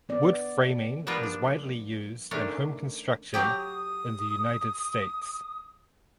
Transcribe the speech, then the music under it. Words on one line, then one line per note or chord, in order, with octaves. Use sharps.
Wood framing is widely used in home construction in the United States.
B3 D5
F3 G3 A#3 B3 D4 F4
D4
D#3 A3 C#4 D4
F#3 G4 G5 D#6